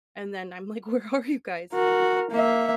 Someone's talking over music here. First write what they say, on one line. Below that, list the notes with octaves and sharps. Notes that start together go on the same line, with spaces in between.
and then I'm like, "Where are you guys?"
F#4 A#4
A#3 E5